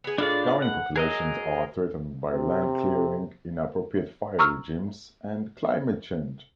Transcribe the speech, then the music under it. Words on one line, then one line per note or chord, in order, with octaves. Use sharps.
Current populations are threatened by land clearing, inappropriate fire regimes and climate change.
B3 G#4
A2 G#3 D4 F4 D5
F#5
F#3 G#4 A#4 D#5
C3
A#5 C#6 E6 F6